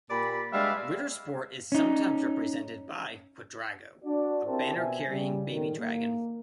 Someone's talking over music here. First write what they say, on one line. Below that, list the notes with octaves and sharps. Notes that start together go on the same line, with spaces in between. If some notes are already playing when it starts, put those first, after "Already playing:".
Ritter Sport is sometimes represented by "Quadrago", a banner-carrying baby dragon.
A#2 G4 D5 B5
G3 G#3 D4 B4 E5 F5
C#4 D#4
D4 F#4 D5
C4 E4 G4 A#4 C5 A5
B2 E5 G#5
C#3 G3
A2 D#3
A#3